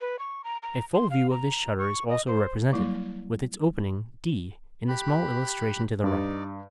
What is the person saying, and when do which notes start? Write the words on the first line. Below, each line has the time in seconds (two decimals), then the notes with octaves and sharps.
A full view of this shutter is also represented, with its opening, D, in the small illustration to the right.
0.01 B4
0.19 C#6
0.44 A#5
0.63 A#5
0.93 C6
1.10 F5
1.30 A#5
1.78 C#6
2.09 D#5
2.27 C5
2.73 F#3 G3 A#3 E4
4.88 G4 B5 F#6
6.04 G2 D#4 D5